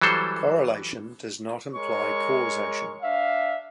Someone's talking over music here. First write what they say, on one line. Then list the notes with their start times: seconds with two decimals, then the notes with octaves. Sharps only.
Correlation does not imply causation.
0.02 E3 F#3 G3 A4 C5
1.75 G#3 A#4 C#5 C#6
3.02 D4 E5 F5